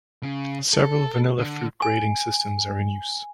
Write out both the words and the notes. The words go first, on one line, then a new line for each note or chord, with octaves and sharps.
Several vanilla fruit grading systems are in use.
C#3
A4
D3
G#5